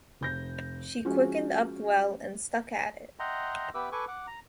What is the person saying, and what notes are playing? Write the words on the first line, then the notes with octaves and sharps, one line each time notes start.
She quickened up well and stuck at it.
F1 G6 A#6
F3 G#3 C#4 F#4
D#5 E5 F#5 G5 A#5 C6
B3 G4 B4 E5 D6 E6
A4 B4 G#5 C#6 D6
F#5 D6
A#5